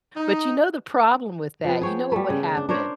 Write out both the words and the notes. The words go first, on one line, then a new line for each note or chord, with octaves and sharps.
but you know the problem with that, you know what would happen,
D#4
F3 B3
G#4 C#5 G5
G3 A3
C#3
D4
D4 A#4 C5 C#5